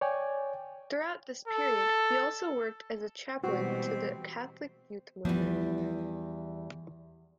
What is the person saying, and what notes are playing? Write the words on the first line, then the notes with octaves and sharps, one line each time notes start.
Throughout this period he also worked as a chaplain to the Catholic youth movement.
C#5 D5 G5 G#5
A4
B2 E3 G3 G#3 C4 F#4
E2 F3 G3